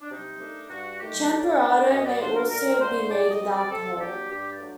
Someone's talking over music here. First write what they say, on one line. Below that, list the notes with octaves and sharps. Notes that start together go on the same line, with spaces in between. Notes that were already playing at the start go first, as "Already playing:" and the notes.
Champurrado may also be made with alcohol.
D4
C3 D#4
D#3 A3 D4
G2 F#4
D#3 A3 G4
A2 D5
A3 D4
F#2 D#5
D5
F#3 A3 D4 C5
A#4
D2 A#4
D3 A3 D4 C5
A2 D5
D#5
G3 C4
D5
C3 A4
A4
F#3 A#3 D4 G4
G2 G4
D5
F#3 A3 D4